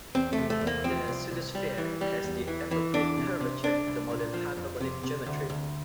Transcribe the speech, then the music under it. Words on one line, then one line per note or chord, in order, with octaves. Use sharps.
The pseudosphere has the appropriate curvature to model hyperbolic geometry.
E2 C4
A3
C3
A3
E2
A#3
F3 C4
C2
C2
G3
E3
G3
E2
E3
E3
E2 D4
C3
C3
C2 D4
C2
A#2
F3
F2
C3
C3
D2
D2